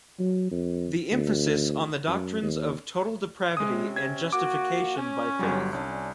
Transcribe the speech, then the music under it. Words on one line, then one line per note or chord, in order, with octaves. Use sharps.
The emphasis on the doctrines of Total Depravity and Justification by faith.
F#3
F2
D2
F#2
D#2
C3 G#3 C#4 D#6
G#6
A#3 F#4 D6
C#4
G1 F#3 G3
C2 C#4 D4